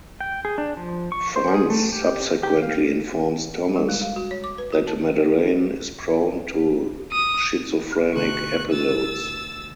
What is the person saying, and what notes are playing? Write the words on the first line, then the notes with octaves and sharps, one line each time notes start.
Franz subsequently informs Thomas that Madeleine is prone to schizophrenic episodes.
G5
G#4
D4
F3
C#6
C5
G#4
A3
G4
G4
F5
G3
G#3
F5
F#4
C#5
D6
B4
F#4
A5
D#6
D2 B2 C#6 F#6
E6 A6